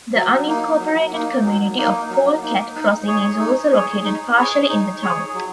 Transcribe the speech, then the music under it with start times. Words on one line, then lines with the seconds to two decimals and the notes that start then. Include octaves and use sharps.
The unincorporated community of Pole Cat Crossing is also located partially in the town.
0.15 F#3
0.47 A#3 D#4
0.80 F#3
1.13 A#3 D#4
1.45 F#3
1.77 A#3 D#4
2.10 F#3
2.42 A#3 D#4
2.75 D#4
3.07 G#4 C#5
3.39 D#4
3.72 G#4 C#5
4.04 D#4
4.37 G#4 C#5
4.69 D#4
5.02 G#4 C#5
5.34 F#3